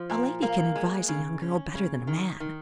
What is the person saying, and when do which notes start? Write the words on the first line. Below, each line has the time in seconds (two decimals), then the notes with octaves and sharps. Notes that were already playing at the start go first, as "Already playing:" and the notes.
"A lady can advise a young girl better than a man."
Already playing: F3
0.10 A#2
0.43 A#3
0.75 G#3
1.08 C#3
1.42 C#4
1.75 C#3
2.07 D#3
2.40 D#3